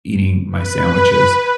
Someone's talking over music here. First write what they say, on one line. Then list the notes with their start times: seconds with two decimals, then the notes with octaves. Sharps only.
eating my sandwiches?
0.51 B4